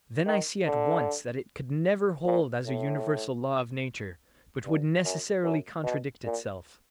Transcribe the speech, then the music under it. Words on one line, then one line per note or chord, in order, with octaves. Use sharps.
Then I see at once that it could never hold as a universal law of nature, but would necessarily contradict itself.
D#3
D3
A#2
A2
G2
F#2
F#2
B2
A#2